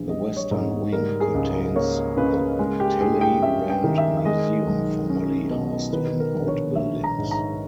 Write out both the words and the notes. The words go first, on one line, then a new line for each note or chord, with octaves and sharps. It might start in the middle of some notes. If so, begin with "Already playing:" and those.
The western wing contains the Talleyrand Museum, formerly housed in outbuildings.
Already playing: A#1 E3
G3 D#5
C#5
G#2
G3 A#4
G#4
C#2
A#3 C#5
C#3 B4
G#3
G4
G2 G#4
G5
C#4 E5
G5
D#3
E5
E5
G#3 D#5
B1
C#4
B2
D#3 B4
A#4
A#1
C#5
A#1 E5
A#5
G#2
A#5